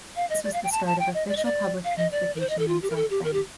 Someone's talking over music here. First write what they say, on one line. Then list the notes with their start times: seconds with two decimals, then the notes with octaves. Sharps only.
This was the start of official public transportation in South Bend.
0.16 F5
0.30 D#5
0.44 D5
0.53 F5
0.64 G5
0.72 A5
0.86 A5
0.99 G5
1.14 D#5
1.28 D5
1.37 D#5
1.45 D5
1.84 F5
1.98 D#5
2.12 D5
2.36 A#4
2.40 C5
2.50 D#5
2.59 A4
2.68 F4
2.82 G4
2.90 A#4
2.96 A4
3.10 G4
3.24 A#4
3.33 G4